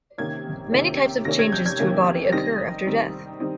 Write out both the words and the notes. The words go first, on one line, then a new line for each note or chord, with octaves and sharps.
Many types of changes to a body occur after death.
C3 D#3 A#3 C#4 G#6
C3 D#3 A#3 C#4
C3 D#3 A#3 C#4 A#6
G#6
G6
G#6
C3 D#3 A#3 C#4
D#3 G3 C4 D#4 A#6
D#3 G3 C4 D#4
D#3 G3 C4 D#4